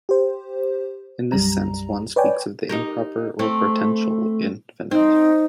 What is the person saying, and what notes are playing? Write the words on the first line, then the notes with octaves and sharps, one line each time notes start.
In this sense one speaks of the improper or potential infinite.
G4 C5
B1 F#2 G3 A#5
B4 C#5 D5 G5 G#5
D#4 G4 A#4
A3 C4
C4 D#4